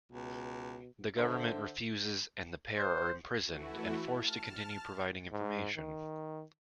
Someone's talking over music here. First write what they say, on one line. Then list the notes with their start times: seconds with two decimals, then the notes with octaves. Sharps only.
The government refuses, and the pair are imprisoned and forced to continue providing information.
0.12 C#2 B2
1.16 D3 C5 E5
2.78 C5
3.42 E3 A3 E4 F#4
4.09 A5 F6
5.32 G#2
5.76 D#3